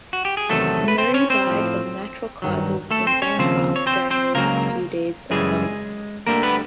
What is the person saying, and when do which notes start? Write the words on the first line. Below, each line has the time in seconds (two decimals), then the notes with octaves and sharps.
Murray died of natural causes in Bangkok during the last few days of filming.
0.13 F#4
0.25 G4
0.37 G#4
0.49 E2 C3 D#3 F#3 A3 A4
0.88 B4
0.98 C4 C5
1.14 C#4 C#5
1.30 C4 C5
1.47 A2 F3
2.42 G2 D#3 F#3
2.91 A3 A4
3.07 C4 C5
3.22 C#4 C#5
3.38 D#2 C#3 F3 C4 C5
3.76 C#5
3.87 C4 C5
4.11 C4 C5
4.34 C#2 C#3 F#3 A#3 A#4
5.30 F#2 C#3 E3 G3 G#3 G#4
6.27 D2 D3 G3 A#3 A#4
6.43 B3 B4